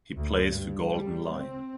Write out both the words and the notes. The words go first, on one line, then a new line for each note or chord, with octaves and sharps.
He plays for Golden Lion.
D2
G2
G3
C4